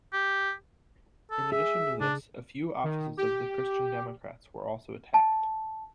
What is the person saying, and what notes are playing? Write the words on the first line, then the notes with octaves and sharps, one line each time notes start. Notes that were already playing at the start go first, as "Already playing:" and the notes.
In addition to this, a few offices of the Christian Democrats were also attacekd.
G4
A4
G#4 E5
C#3 D4
D#3
G4
A5